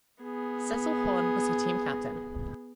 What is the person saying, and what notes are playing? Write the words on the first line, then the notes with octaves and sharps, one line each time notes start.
Cecil Horne was the team captain.
B3 G#4